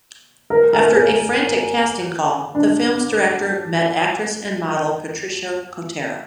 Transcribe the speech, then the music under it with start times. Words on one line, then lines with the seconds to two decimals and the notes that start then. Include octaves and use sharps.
After a frantic casting call, the film's director met actress and model Patricia Kotero.
0.50 A#4
0.73 A#4
0.95 G#4
2.55 D4